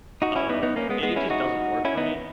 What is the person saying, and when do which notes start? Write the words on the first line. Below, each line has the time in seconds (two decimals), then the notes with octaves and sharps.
um i it just doesn't work for me.
0.22 D#4 F#4
0.35 C#4 E4
0.49 B3 D#4
0.63 B3 D#4
0.76 A#3 C#4
0.89 G#3 B3
1.03 G#3 B3
1.16 C#4 E4
1.30 D#4 F#4
1.85 C#4 E4
1.97 B3 D#4